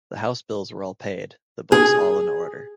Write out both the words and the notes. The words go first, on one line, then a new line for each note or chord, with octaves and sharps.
The house-bills were all paid, the books all in order.
G#4